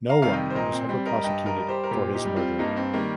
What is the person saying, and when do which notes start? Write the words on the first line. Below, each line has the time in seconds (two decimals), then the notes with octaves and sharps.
No one was ever prosecuted for his murder.
0.10 F5 A#5
0.22 C3 D#3 G3 F5
0.33 D#5 G5
0.50 C5
0.55 A#2 A#4 D#5
0.72 C4
0.89 G3 C4
1.06 A#4 D#5
1.24 G2 D#5 G5
1.46 A#4 D#5
1.57 G3
1.68 G4 C5
1.84 A#4
1.91 A#2 G4 C5
2.14 D#4 G4
2.25 G3
2.36 C4 F4
2.59 G2 A#3 D#4
2.76 C4
2.93 D#3 G3 A#3